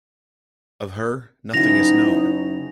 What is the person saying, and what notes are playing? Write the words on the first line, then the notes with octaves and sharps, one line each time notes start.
Of her, nothing is known.
F#2 C#3 D#4 E4 F#4 A#6 F7